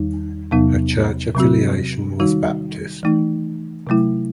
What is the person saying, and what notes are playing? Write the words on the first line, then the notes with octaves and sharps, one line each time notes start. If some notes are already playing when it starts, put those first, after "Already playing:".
Her church affiliation was Baptist.
Already playing: E2 D#3 G3 D#4
E2 C3 F#3 B3 D#4
C3 F#3 C4 F#4
D#3 G3 D#4 F#4
E3 A3 D#4
C3 F#3 A3 E4